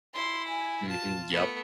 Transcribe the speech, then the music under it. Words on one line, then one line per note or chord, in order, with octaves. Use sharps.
Mhm. Yep.
E4 C6
G#5
F4 A5
A3 B3